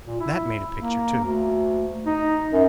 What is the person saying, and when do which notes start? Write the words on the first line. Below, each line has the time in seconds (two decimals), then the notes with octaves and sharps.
That made a picture, too!
0.06 A#2
0.20 E4
0.78 A#3
1.24 D2
2.06 D#4
2.53 F#2